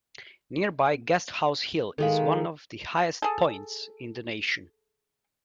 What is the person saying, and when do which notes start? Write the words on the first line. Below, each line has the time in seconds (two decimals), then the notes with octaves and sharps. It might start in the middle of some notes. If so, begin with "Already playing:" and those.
Nearby Guesthouse Hill is one of the highest points in the nation.
1.98 D#3 G#3 A4 F5 B5
3.22 G#4 A4